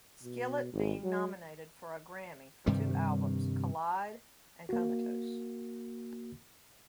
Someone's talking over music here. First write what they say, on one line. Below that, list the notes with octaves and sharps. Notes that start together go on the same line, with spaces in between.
Skillet being nominated for a Grammy for two albums Collide and Comatose.
B2
G#1
F#3
G2 C3 D#3 G3
A#3 F#4